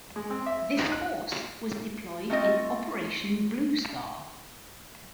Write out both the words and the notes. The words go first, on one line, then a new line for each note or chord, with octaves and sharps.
This force was deployed in Operation Blue Star.
G#3
C4
E5
D#4
F#6
A3 C4 F4 D#5